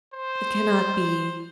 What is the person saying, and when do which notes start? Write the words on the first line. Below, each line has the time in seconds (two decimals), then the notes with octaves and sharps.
It cannot be.
0.14 C5